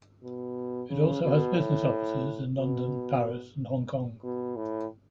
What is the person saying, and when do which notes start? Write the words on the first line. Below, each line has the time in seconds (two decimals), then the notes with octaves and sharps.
It also has business offices in London, Paris and Hong Kong.
0.23 B2
0.89 C#3
1.23 B2
1.57 A2
2.57 B2
4.23 B2
4.56 A2